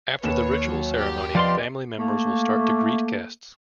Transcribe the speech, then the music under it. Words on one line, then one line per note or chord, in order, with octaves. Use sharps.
After the ritual ceremony family members will start to greet guests.
D#2 B4 C#5 E7
F#3
G4
C3 F3 B3 F4 D5 D#5 C6
A3 A#3